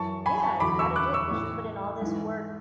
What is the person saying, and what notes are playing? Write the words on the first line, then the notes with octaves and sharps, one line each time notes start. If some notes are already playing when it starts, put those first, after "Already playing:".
Yeah, you gotta do it because you put in all this work
Already playing: F#2 E3 A5 C#6
G#5 B5
A5 C#6
E2 D3 F#3 B5 D6
C#6 E6
D6 F#6
C#6 E6
A2 E3
G#2 E3